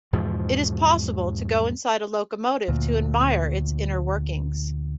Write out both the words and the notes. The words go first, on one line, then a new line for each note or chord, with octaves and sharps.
It is possible to go inside a locomotive to admire its inner workings.
E2 G#2 B2 F3
D2 A#2